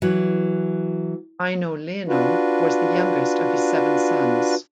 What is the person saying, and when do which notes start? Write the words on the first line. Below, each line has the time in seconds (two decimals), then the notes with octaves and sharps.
Eino Leino was the youngest of his seven sons.
0.02 E3 F#3
2.08 D4 F4 F#4 B4